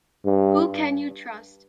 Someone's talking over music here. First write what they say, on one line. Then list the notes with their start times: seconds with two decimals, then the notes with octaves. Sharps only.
Who Can You Trust?
0.25 G2